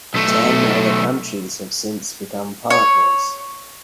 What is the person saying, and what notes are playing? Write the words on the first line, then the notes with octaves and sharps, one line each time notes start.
Ten other countries have since become partners.
B1 A3
C#5